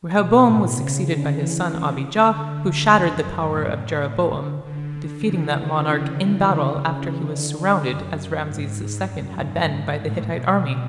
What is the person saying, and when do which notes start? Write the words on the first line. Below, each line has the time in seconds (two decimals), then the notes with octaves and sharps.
Rehoboam was succeeded by his son Abijah, who shattered the power of Jeroboam, defeating that monarch in battle after he was surrounded as Rameses II had been by the Hittite army.
0.13 B2
0.43 A2
0.73 C#3
1.03 D3
1.32 C#3 E3
2.21 D3
2.51 D3
2.80 E2
3.10 F#2
3.39 A2
4.58 D3
5.18 C#3 E3
5.77 D3
6.07 C#3 E3
6.37 D3
6.66 C#3
6.96 C#3 E3
7.25 D3
7.85 F#2
8.44 G#2
9.04 F#2
9.33 G#2
9.93 A2
10.23 B2
10.52 B2